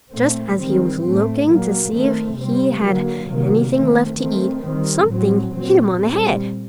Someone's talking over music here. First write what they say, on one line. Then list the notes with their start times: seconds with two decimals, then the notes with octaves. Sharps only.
Just as he was looking to see if he had anything left to eat, something hit him on the head.
0.12 A#2 A3 C4
0.57 D#3 G3 C4
1.02 A2 A3 C4
1.47 A#2 F#3 A#3
1.92 D#3 A3 C4
2.37 C3 G3 C4
2.82 D3 F#3 A#3
3.27 C3 D#3 F#3 A#3
3.73 D#3 A3 C4
4.17 D#3 A3 C4
4.62 D#3 G3 C4
5.07 A2 F#3 C4
5.52 A#2 F#3 C4
5.97 A#2 G3 C4